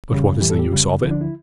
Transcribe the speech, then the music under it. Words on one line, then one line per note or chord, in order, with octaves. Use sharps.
But what is the use of it?
E2 C#3 G3
A2 E3 G3 G4
A4
G4
F2 C#3 G3
D2 D3 F3 E4
D4
E4